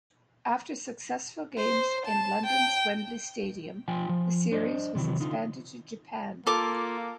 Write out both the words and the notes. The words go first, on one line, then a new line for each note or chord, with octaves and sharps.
After successful games in London's Wembley Stadium, the series was expanded to Japan.
C5
A5
G5
F3 F4 G5 G#5
F3
D4 C5 D5 D#5
C3 D#3 E3 F#3
D3 D#4 F4
A#3 F4 A4 D6